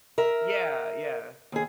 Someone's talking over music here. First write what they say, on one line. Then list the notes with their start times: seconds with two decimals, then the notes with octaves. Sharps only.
Yeah, yeah.
0.18 A#4 E5
1.52 D#2 G#4